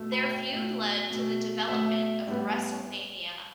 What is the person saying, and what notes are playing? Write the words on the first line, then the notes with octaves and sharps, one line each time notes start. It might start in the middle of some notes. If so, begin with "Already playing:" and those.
Their feud led to the development of WrestleMania.
Already playing: B2 A3
B5
G5
B2 A3
B2 A3
B2 A3 E5
A2 G3 B3